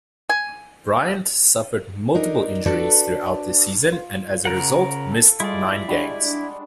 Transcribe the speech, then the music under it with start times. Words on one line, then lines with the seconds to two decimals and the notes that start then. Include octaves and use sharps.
Bryant suffered multiple injuries throughout the season and as a result, missed nine games.
0.29 G#5
2.15 D4 D#4 A#4
2.66 D4 F#4 A4 B4 D5
3.92 F4
4.45 C#3 A#4 F#5
5.12 A4
5.40 G3 G#3 E4 F4 D5
5.88 G3 G#3 D4 F#4